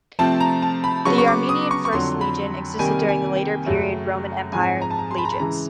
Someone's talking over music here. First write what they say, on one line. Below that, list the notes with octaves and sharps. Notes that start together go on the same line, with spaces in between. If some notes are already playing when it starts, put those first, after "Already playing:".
The Armenian First Legion existed during the later period Roman empire legions.
C3 F3 A3 C4 A5
A#5
A5
B5
C#3 F#3 B3 C#6
C#6
D6
D#6
C#6
C#6
F2 D3 F#3 C6
B5
C3 D#3 G3 A#3 G#5
G#5
G5
F#2 C#3 F#3 A3
G#2 F3 G#3 C4 G#5
A#5
A5
A#5
C6
B5
A#5
B5
C#3 E3 G#3 A#5